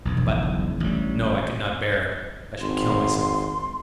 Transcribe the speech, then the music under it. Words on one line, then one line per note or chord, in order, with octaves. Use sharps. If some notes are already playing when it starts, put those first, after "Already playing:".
But ... no, I could not bear it, I should kill myself.
E1 B1 B2
F#1 F3
A1 D3 E3 G3
G#1 C6